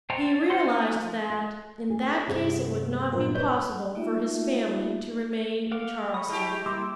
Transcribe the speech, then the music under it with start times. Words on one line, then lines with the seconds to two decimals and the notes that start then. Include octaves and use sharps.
He realized that in that case it would not be possible for his family to remain in Charleston.
0.10 C5 F#5 G5 A5 A#5
0.22 A5
0.50 F4 C5 F#5 C6
0.66 C#4 D#4 D#6 F#6
0.96 F3
1.30 A4
1.90 G#4
2.28 G2 C3 C4 G#4 F#5
3.12 F#2 A#2 B3 A#4 C5
3.35 B4 C#5 G6
3.95 A3 A#3 D#4 F4 F#4 E5
5.72 F5 F#5 D6
6.14 B5 C#6 D#6
6.29 G#3 E4 G4 G#4
6.66 G3 A#3 E4 C6 D6 E6